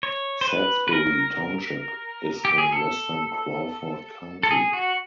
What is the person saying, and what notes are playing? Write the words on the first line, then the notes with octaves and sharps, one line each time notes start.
Sadsbury Township is in western Crawford County.
C#5
C5
B4
B4
A#4
G4
G#4
A4
A4
G#4
F#4